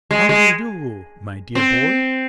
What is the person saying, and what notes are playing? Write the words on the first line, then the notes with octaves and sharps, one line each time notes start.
How do you do, my dear boy?
G#3
G#3
C4